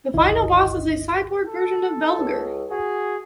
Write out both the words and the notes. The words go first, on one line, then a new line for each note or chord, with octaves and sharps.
The final boss is a cyborg version of Belger.
G1 C#2 D#3 E4 D#5
A4
C#2
F#4 G#4